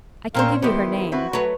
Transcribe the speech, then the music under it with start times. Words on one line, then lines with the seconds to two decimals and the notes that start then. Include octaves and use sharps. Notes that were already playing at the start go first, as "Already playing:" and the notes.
I can give you her name.'
0.34 A#2 C4 C#4 A#4 C5 F5
0.62 E2 D#3 B3 E4 G4 C5
1.12 C4 E4 F#4 B4
1.33 F#3 A3 B4 C#5